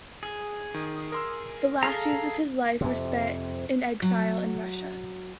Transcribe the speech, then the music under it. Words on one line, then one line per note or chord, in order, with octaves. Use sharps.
The last years of his life were spent in exile in Russia.
G#4
D#3
A#4 C6 E6
G#4 A4 F5 A#5
F2 C3
F#3